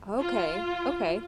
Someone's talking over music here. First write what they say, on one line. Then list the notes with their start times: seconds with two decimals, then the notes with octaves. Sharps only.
Okay, okay.
0.19 F4